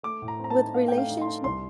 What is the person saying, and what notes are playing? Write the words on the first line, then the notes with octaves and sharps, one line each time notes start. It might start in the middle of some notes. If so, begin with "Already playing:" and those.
With relationship
A3 D6
A2
A#5
C4 A#5
A5
D#4
D#4 F5
A3 G5
F5
D#4
C6
D#4
C2 C6